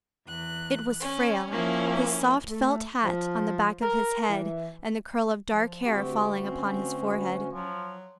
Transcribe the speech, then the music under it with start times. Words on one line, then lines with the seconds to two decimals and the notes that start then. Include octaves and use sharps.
It was Frale, his soft felt hat on the back of his head and the curl of dark hair falling upon his forehead.
0.26 E2 F#6
1.01 C#4
1.49 F3 A#3 C#4 E4
2.48 A3
3.03 F3
3.82 A#4
4.28 E3
5.51 F3
5.85 D2 C4 F#4 G4
6.43 C4 C#4
7.53 F3 F#3